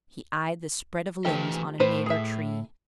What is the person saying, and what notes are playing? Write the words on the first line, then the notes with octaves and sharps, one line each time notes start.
He eyed the spread of limbs on a neighbor tree.
E3 F3 A3 G4 B4 D#5
A2 B4 C5 B5
G#4 E5